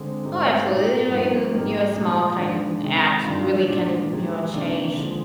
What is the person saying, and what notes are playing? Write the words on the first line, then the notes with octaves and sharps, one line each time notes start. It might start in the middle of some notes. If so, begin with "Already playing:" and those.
Oh, absolutely, you know, even, you know, a small kind act really can, you know, change
Already playing: D3 G#3 C4
G#2 G3 C4 D#4 G4
A#2 G3 A#3 D#4 G4
G2 F3 C4 D#4
G#2 G3 A#3 D#4 G4
A#2 G#3 D#4
D#3 G#3 D4
C3 D#3 G#3
G2 D#3 G3 D4 F4
A#2 G#3 D4
D#3 G#3 D#4 G4
C3 D#3 A#3 D4
D3 F3 G#3